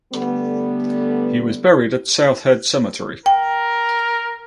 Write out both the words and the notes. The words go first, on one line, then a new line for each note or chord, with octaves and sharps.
He was buried at South Head Cemetery.
D3 G3 A3 B3
A#4 G5